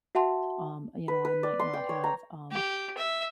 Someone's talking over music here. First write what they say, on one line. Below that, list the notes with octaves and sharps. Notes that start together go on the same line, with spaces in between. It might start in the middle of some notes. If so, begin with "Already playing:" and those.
um, you know, I might not have, um,
F#4 E5 F#5 A5 C6
B4
B4
D5
C6
G5
C#5
A#5
G4
E5